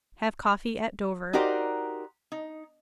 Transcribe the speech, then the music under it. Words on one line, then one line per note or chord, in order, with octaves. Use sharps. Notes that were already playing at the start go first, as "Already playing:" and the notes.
Have coffee at Dover.
D#4 F#4 G4 A#4 C5 D5
D#4